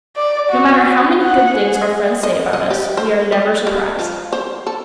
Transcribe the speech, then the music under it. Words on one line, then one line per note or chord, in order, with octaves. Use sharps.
No matter how many good things our friends say about us, we are never surprised.
D5
F#4
F#5
G#4
D#5
D#5
G4
C5
D#5
G3
F3
C5
A4